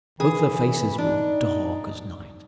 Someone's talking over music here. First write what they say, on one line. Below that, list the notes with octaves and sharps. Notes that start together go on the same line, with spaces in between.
Both their faces were dark as night.
E3 G#4
D4 D#4